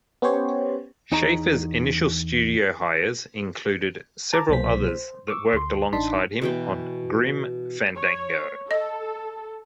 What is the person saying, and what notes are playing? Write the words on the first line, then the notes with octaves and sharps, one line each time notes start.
Schafer's initial studio hires included several others that worked alongside him on "Grim Fandango".
B3 C#4 G4 C5 C#5
E2 D#4 C#5 D#5 A#5
A5 A#5 D6
C2 B2 F#3 A#3 C5 B6
C5
C#6 D6 E6
D2 C6
A1 D4 D#4 A5 C6 B6
B2 E3 G5
C#5
A4 D#5